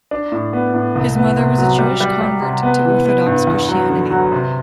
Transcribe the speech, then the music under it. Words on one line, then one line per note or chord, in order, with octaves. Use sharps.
His mother was a Jewish convert to Orthodox Christianity.
D4
A2
B3
A2
C2
B3
C3
F#3
G3
G3
G3
C3
B3
E3
B3
G2
E2
F#3
D3
F#3
C3